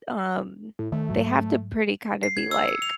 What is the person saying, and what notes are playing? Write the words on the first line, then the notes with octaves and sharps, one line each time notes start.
Um, they have to pretty, kinda, be like
A2
D#3 A3
G#2 F#3
C7
G#6
E6
C#7
F7